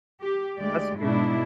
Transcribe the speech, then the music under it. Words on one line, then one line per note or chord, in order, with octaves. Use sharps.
That's true. Yeah.
G4
D2 G#3 G4 D5
G#2 B2 D4 E4